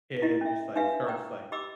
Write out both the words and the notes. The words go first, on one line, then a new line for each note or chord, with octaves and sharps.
kid just, like, starts, like,
E4 G4 D#5
C#4 E5
D4 G4 B4 E5 F5 G#5
G5 A#5 C#6
G4 D#5 B5 D6 E6